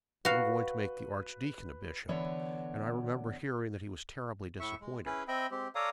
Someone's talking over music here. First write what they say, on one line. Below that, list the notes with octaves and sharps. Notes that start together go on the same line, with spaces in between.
They were going to make the archdeacon a bishop, and I remember hearing that he was terribly disappointed.
F#4 B4 F5
D3 E3 B3 C#5 D5
A2 E5 C#6
G#3
C#4 E4 G#4 B4
C4 D#5 E5 G5 B5
G#3 C4 G4
A4 C#5 D5 F5 A#5 D#6